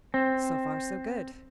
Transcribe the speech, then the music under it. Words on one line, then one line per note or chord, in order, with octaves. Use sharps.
So far so good.
C4